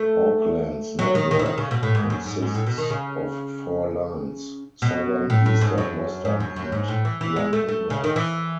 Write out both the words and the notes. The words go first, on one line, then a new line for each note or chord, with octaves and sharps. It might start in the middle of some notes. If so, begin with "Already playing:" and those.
Auckland's network consists of four lines: Southern, Eastern, Western and Onehunga.
Already playing: A3
F#3
D#3
D#3
E3
D#3
C#3
B2
A2
G#2
F#2
G#2
G#2
A2
B2
D#3
C#3
B2
A2
A2
G#2
F#2
G#2
F#2
F#2
G#2
A2
E3
E3
G#3
A3
A3
C#3
D#3
E3